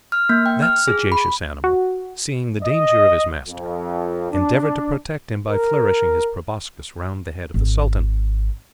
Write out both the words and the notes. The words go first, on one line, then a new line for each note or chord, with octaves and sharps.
That sagacious animal, seeing the danger of his master, endeavoured to protect him by flourishing his proboscis round the head of the Sultan.
F6
A#3
G5
F6
G#4
B5
F#4
D#5
F2
D4
A#4
G#1